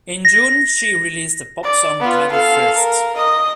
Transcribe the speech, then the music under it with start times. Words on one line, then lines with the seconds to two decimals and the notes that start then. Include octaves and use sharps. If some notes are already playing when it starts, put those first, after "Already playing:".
In June she released a pop song titled "First".
0.25 A#6
1.64 D5
2.00 B3 F4
2.32 A4 F5
2.75 A#4
3.16 D#5 D#6